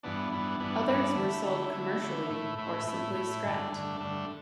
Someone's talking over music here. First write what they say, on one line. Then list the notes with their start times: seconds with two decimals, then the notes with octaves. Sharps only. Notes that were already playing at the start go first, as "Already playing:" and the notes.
Others were sold commercially or simply scrapped.
0.03 G2 E3 B3 D4
0.31 G2 E3 B3 D4
0.59 G2 E3 B3 D4
0.88 G2 E3 B3 D4
1.16 D3 A3 E4
1.45 D3 A3 E4
1.73 D3 A3 E4
2.02 D3 A3 E4
2.30 A2 A3 E4
2.58 A2 A3 E4
2.87 A2 A3 E4
3.15 A2 A3 E4
3.43 G2 D3 A3 D4
3.72 G2 D3 A3 D4
4.00 G2 D3 A3 D4